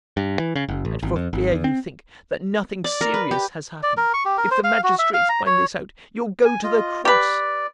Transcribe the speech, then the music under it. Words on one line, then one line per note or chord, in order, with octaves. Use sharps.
And for fear you think that nothing serious has happened, if the magistrates find this out you'll go to the cross!
G2
E3
C#3
F#1
A1
G#1
F2
G#1
E2
C4
D5
A#4
B4
G4
D5
A#4
C#6
G4
A#4
C5
F5
F#4
E5
F5
A#5
C#5
G#5
F4 D#5
G4 B4 D5